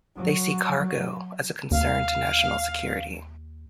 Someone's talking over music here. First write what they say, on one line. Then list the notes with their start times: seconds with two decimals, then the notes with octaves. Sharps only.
They see cargo as a concern to national security.
0.16 F#3
1.71 D#2 F5